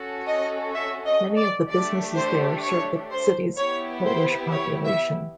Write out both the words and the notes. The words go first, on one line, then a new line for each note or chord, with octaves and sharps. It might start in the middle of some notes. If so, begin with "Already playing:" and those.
Many of the businesses there serve the city's Polish population.
Already playing: C#4 F#4 A4
D#5
E5
D#5
D5
A3 D4 G4 D5
C5
C#5
C5
B3 E4 G4 C#5
C5
C#5
E5